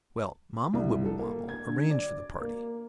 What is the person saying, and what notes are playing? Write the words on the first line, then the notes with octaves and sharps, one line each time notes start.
Well, Mamma Wibblewobble arranged for the party.
C2
A4
A#3
G#6
D3
D5
A#3